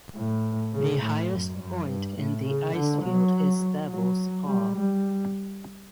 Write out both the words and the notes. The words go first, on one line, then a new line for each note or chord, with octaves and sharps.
The highest point in the icefield is Devils Paw.
A2
C#3
A2
F#2
F#2
G2
A2
C#3
D3
F#3
F#3
G3
G3